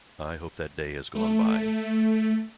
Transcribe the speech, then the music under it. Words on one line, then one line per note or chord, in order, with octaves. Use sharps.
I hope that day has gone by.
A3